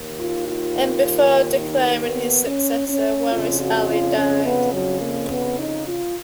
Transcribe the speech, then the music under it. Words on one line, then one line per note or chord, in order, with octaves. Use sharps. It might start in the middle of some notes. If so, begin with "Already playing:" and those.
And before declaring his successor Waris Ali died.
Already playing: D#2 D#3
F4
F4
D#4
B3
C#4
C#4
F2 C#3 F4
F#4
F4
C#4
B3
F#3
A#3
B3
D#4
F4